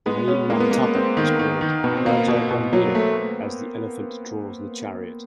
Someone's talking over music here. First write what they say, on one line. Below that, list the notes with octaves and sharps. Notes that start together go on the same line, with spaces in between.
The main mantapa is called Raja Gambira as the elephant draws the chariot.
G#3 B3
C#4
G#3 A#3
B3
G#3 A#3
B3 C4
D#3
D#3
D#3
B2 B3
C4
A#3 B3
B2
B2
F#3 A#3
A3